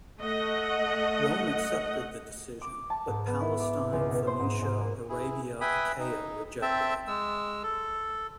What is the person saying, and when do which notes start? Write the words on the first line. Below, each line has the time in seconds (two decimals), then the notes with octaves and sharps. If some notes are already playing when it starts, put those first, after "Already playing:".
Rome accepted the decision, but Palestine, Phoenicia, Arabia, Achaea rejected it.
0.19 A3 D#5 F#5
2.61 D6
2.90 A5
3.07 G#2
3.27 B3
3.41 E4
3.60 D6
3.92 C#2
4.10 B2
4.27 C5
4.39 G#2
4.62 G#2
4.80 A#3
5.09 E4 G#4
5.61 B4 E5 G5 G#5 B5 D#6
5.99 D#4
6.62 C4 E5 G5 A5
7.08 G#3 E6
7.63 A4